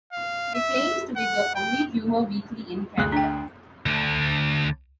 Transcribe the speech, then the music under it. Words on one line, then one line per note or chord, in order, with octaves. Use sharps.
It claims to be the only humour weekly in Canada.
F5
E5
F#5
G5
D2 G#4 F#6
D4 G5
D2 D3